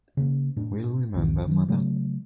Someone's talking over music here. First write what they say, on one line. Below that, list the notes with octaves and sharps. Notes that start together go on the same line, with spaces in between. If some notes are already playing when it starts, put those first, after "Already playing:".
We'll remember, mother!
C#3 A#3
A2 D4
C2 G#2 D#3
D#3 F#3
C#3 F#3 G#3 A3